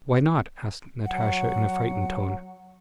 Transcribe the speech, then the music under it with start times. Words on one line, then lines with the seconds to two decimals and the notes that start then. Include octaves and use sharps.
"Why not?" asked Natasha in a frightened tone.
1.05 F#3 F#5